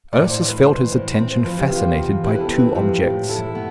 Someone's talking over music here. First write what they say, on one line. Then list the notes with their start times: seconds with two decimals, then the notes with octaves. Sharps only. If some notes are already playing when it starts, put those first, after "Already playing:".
Ursus felt his attention fascinated by two objects.
0.13 A2 D5
0.30 C5
0.39 G3
0.48 B4
0.65 E3 C5
0.91 A2
1.19 C4
1.31 C5
1.44 F3 B4
1.58 G4
1.71 C3 F4
1.98 E2
2.24 E4 G4
2.35 B4
2.41 A4
2.50 C4
2.58 B4
2.75 F3 G4
3.03 A2
3.29 E4 A4
3.55 B3